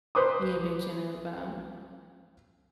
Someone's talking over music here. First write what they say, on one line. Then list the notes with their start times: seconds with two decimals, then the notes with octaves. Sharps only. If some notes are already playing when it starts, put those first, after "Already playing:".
the invention of, um,
0.15 B4 C5 D6 D#6